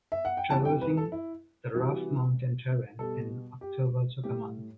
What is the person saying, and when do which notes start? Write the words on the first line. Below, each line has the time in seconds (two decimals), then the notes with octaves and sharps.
Traversing the rough mountain terrain in October took a month.
0.12 E5
0.25 F#5
0.37 G5
0.50 C3 E3 G3 A5
0.65 G5
0.81 B4
0.97 A4
1.12 E4
1.74 C3 E3 G3 F#4
2.99 B2 G3 A4
3.61 G4
4.23 A2 G3 G4